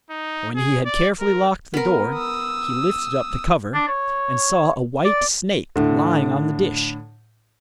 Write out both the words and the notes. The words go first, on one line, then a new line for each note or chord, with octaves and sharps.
When he had carefully locked the door, he lifted up the cover, and saw a white snake lying on the dish.
D#4
G#4
D5
A#4
B3 A#4
D#6 E6
D4
C#5
D5
A2 D3